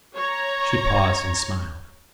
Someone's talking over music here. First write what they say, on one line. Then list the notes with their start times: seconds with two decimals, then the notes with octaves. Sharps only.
She paused and smiled.
0.14 C#5 A#5